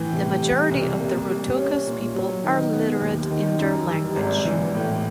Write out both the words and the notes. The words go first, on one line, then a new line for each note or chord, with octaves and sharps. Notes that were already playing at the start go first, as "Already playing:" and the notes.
The majority of the Rotokas people are literate in their language.
Already playing: A2 E3
C3
G3
C2
A#3
G3
C#4
A#2
F#3
D#3
B3
D#2
D#3
F#2
G3
G#1
E3
A2